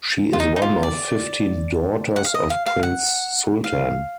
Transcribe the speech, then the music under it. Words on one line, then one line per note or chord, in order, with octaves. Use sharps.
She is one of fifteen daughters of Prince Sultan.
F4
D#4
D#4
F4
D5
F#5
F5
D#5
F5
F5
F#5
F5